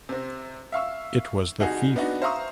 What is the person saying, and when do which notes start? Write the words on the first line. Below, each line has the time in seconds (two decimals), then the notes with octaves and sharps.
It was the thief.
0.09 C3 C4
0.72 E5 F5 C#6 E6
1.60 C2 D#4 F#4 G#4
1.96 B3 D4 D#4 F#4
2.22 C5 E5 F5 A#5 C#6 D#6